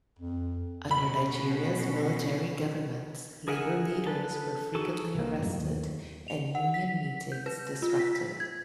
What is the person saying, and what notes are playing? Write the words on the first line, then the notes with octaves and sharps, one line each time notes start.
Under Nigeria's military governments, labour leaders were frequently arrested and union meetings disrupted.
F2
B2 C#4 B5
G#4 A#4 E5 F#5 G#5
A4 B4
D#4 F#4 G#4 A4
C2 A#3
F#2 A2
D#2
F7
F#5
B6
G6
B4
F4
B6
B6
G#6